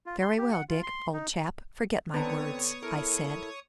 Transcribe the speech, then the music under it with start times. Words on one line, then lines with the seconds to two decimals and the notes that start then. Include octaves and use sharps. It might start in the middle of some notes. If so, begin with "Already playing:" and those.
"Very well, Dick, old chap, forget my words," I said.
0.06 F4
0.22 C6
0.38 G4
0.52 F#5
0.69 F4
0.83 C6
1.14 D#4
2.14 D3 B3 C4 B4 C#5 A#5 C#6 D#6
2.82 E4 A4 A#4